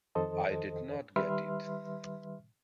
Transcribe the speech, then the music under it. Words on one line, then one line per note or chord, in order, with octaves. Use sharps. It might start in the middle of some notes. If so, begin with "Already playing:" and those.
I did not get it.
F2 D#3 A4 C5 D#5 A5
D#3 G3 B4 E5 C6 F6